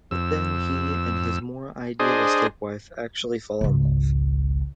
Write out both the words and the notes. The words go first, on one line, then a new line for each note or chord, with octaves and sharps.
But then he and his more idealistic wife actually fall in love.
F2 E6
D4 G#4 C5 D#5
G#1 C#2